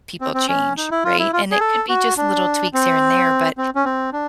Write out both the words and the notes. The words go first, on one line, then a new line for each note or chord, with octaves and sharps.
people change, right? And it could be just little tweaks here and there, but
C4
C4
C#4
D#4
E4
F4
E4
F4
G#4
A4
F#4
D4
C4
C4
C#4
C4
D4